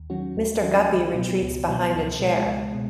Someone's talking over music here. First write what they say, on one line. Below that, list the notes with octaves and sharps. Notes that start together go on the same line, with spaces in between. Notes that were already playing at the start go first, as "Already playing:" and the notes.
Mr. Guppy retreats behind a chair.
Already playing: D#2
D#3 F#3 C#4 F#4
D#2
D#3 F#3 C#4 F#4
C#2
B2 F#3 B3
C#2
B2 F#3 B3
C#2
B2 G#3
C#2
B2 G#3